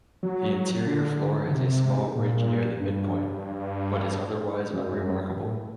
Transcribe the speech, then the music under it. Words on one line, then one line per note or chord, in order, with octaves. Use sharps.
The interior floor has a small ridge near the midpoint, but is otherwise unremarkable.
F#3
D3
D3
C3
A#2
G2
F#2
G2
A2